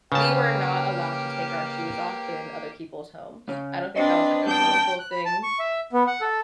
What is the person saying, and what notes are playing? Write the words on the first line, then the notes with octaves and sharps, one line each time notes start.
we were not allowed to take our shoes off in other people's homes. I don't think that was, like, a cultural thing,
C#3 A#3 G4 B4 C#5 G5 A5 F6
C#3
C4 D4 B4 D#5
G3 B3 C4 G5 A5
F#6
B5
A5
C#6
E5
B3
F#5
A4